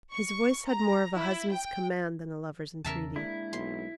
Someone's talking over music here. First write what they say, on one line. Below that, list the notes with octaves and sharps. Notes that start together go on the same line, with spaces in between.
His voice had more of a husband's command than a lover's entreaty.
C#6
A#5
E4
G5
E2 C#3 A#4 E5 A5
G#3 A#3 D4 E4
B1 C6